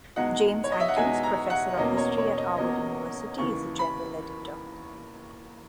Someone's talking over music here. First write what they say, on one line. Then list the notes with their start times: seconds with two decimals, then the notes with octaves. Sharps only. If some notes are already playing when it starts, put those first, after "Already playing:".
James Hankins, Professor of History at Harvard University, is the General Editor.
0.16 E2 B2 G#3 D#4 F#5
0.64 C#5
0.72 D#5
0.80 E5
0.88 F#5
0.96 E2 B2 G#3 D#4 G#5
1.23 A#5
1.50 F#5
1.77 E1 E2 B2 A#3 C#4 D#5
1.97 C#5
2.18 C#5
2.37 D#5
2.58 E1 E2 B2 A#3 C#4 D#5
3.38 D#2 C#3 E3 C#6
3.79 B5